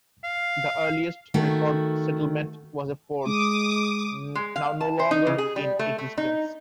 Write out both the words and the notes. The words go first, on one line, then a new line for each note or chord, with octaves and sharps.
The earliest recorded settlement was a forge, now no longer in existence.
F5
D#3 A3 F#4
G#3 D6 D#6
G#3
F5
A5
C5
D#4
C#3
G#4
G3
A3
A3
D#4